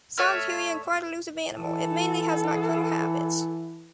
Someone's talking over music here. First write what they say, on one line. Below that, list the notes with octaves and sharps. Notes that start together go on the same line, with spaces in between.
Solitary and quite elusive animal, it mainly has nocturnal habits.
A3 C#5 E5 F6
E3 A4 F#5